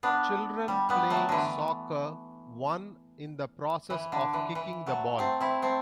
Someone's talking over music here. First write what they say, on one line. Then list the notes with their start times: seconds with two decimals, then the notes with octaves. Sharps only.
Children playing soccer, one in the process of kicking the ball.
0.03 B3 D4
0.68 G3
0.89 G3 B3
1.10 F#3 A3
1.29 D3 E3
3.90 E3
4.12 D3
4.33 E3
4.55 E3
4.86 F#3 A3
5.19 A3 C4
5.40 C4 E4
5.62 A3 C4